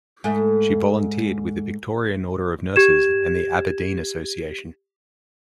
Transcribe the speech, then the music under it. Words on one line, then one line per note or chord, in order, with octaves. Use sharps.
She volunteered with the Victorian Order of Nurses and the Aberdeen Association.
G#2 A3
G4 G#6 E7